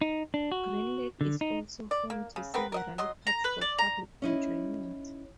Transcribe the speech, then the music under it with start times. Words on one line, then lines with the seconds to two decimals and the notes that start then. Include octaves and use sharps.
Green Lake is also home to several parks for public enjoyment.
0.01 D#4
0.34 D4
0.52 F#4
1.21 D3
1.41 D#4
1.91 D5
2.10 A#3
2.36 C#3
2.54 B3 C4 A#4 B4
2.72 A#4 D#5 F#5
2.98 F#3 D#5 C6
3.27 A#5
3.44 B4
3.61 D5
3.78 A#5
4.22 C#4 D#4 E4